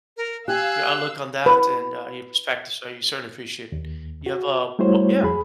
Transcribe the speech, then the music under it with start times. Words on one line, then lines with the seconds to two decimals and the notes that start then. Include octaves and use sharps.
your outlook on that and, uh, your perspectives, so, certainly appreciate it. You have a wo Yeah.
0.17 A#4
0.48 G4 F5 G#5 E6 F#6
1.46 B4
3.72 D#2
4.26 F#4
4.79 G3 A3 E4 F#4 C5 C#5
5.23 F2 G#4 B5